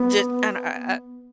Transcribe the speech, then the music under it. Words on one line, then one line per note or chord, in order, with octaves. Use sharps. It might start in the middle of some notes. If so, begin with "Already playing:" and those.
Just and I
Already playing: B3